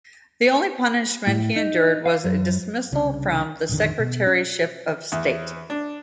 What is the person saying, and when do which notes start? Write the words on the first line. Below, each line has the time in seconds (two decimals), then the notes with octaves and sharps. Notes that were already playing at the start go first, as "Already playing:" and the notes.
The only punishment he endured was a dismissal from the Secretaryship of State.
1.27 A2
1.56 D#4
2.06 F5
2.24 F#2
2.92 C2 C#3 C#4 D4
3.69 A#1 F2 D3 D#3
3.99 B2
4.27 C#4
5.12 E2
5.70 D4